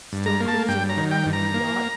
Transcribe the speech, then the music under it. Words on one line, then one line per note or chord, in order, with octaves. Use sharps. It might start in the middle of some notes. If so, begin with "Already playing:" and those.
"Still cruising around in your yacht?"
G2
A#5
A#3
A5
G2 G5
A#5
D#3
G5
G2
A#5
A#3